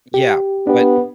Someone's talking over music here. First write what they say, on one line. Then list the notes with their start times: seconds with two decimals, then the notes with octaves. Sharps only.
Yeah, but
0.14 G4
0.67 B3 D4 G4